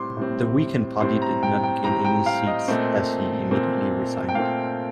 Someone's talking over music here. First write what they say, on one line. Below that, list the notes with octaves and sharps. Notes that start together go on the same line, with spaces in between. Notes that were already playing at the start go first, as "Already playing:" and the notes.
The weakened party did not gain any seats and he immediately resigned.
Already playing: A2 G3 C4 C6 D6
A2 G3 C4
A2 G3 C4 C6
A#5
G5
G5
A2 G3 C4 A#5
G5
F5
D#5
A#2 A3 C4
A#2 A3 C4
G5
A#2 A3 C4 F5